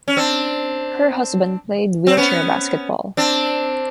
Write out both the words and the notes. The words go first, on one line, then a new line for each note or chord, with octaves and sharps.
Her husband played wheelchair basketball.
C#4
C4 D4
C4
B3 C#4
C4 D4